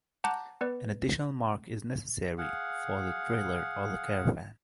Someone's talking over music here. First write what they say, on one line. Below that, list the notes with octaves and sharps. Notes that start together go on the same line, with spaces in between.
An additional mark is necessary for the trailer or the caravan.
F#5 A5 A#5 D6 F#6 G6
B3 B4 D5
G#4 F5 F#5